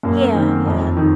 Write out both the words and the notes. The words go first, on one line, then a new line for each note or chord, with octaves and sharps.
Yeah, yeah.
F#2 A#3
D#3 C4
F2
D#3